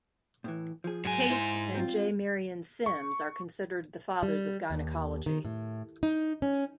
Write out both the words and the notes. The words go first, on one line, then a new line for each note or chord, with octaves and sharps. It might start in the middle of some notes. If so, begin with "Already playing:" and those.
Tait and J. Marion Sims are considered the fathers of gynecology.
A2 E3
F3 G#4
G#2 F#3 G#3 G#5
E4 C5
G3 C4 F4
C#6
G3
D#2
D#3
A2
D#4
C#4